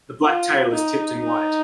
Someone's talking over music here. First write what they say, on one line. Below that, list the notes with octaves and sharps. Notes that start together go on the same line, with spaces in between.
The black tail is tipped in white.
F4
D#4
D#4